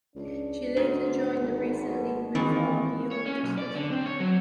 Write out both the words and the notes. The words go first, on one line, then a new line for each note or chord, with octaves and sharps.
She later joined the recently reformed Young Justice.
C#2 D4
D2 G#2 B3
G#1
B2
G#1 D#3 E3 G#3 C4
C#5
C#4
B1
D5
D3
C4
C#5
F#3